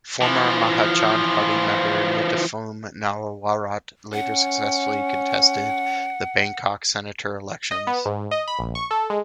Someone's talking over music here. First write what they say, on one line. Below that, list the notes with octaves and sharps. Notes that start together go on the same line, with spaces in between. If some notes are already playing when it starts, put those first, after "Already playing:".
Former Mahachon Party member Nitiphoom Naowarat later successfully contested the Bangkok Senator elections.
E3 F3
C#4 F#5
D#5
B3
G#2
D#5
B5
A#1
C#6
A4
G#3